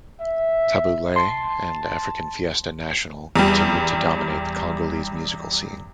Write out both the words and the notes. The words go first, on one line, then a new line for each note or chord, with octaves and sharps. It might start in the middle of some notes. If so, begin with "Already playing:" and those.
Tabu Ley and African Fiesta National continued to dominate the Congolese musical scene.
E5
A5 C6
E2 G3